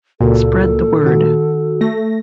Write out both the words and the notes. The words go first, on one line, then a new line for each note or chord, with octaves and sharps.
Spread the word.
C#2 A#2 F#4 A4 A#4
D#3 F#4
A3 A#6